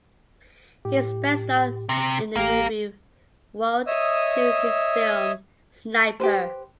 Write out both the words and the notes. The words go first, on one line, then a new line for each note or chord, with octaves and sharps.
He is best known in the movie world through his film "Sniper".
A2 G4
C3
A1 A#3 G4 A#4 F5
C#5 D#5 E5 D#6 E6
G4 B4 C5